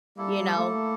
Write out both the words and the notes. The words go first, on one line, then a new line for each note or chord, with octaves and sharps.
you know?
G3 A#3 E4 A4
A3